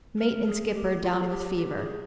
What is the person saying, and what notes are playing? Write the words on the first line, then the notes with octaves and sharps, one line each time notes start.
Mate and skipper down with fever.
A#4
G#4
G4
F4
G#4
G4
G4
G#4